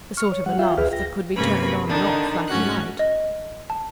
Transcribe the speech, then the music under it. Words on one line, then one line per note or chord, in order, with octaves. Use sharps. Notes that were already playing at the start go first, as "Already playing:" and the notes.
The sort of a laugh that could be turned on and off, like a light.
C#6 F6
C#5
G3 F#5
F4 E5 F5 G5
D2 G#4 B4 E5 F6
G5 A#6
G2 C3 A#3 C#4 B4 B5
D3 D#3 D4 D#4
G#2 A3 C#4 F#4 F#6
D#5
A5